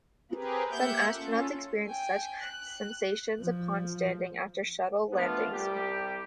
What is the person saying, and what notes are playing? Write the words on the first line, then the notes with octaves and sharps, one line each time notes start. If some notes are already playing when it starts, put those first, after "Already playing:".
Some astronauts experienced such sensations upon standing after shuttle landings.
C4 G4 G#4 A#4 B4
A#3 G4 E5 F#5 G6
C#4 F4 A4
G5 G#5
F#6
F3
A3 B3 D4 F4
C2 G3 G4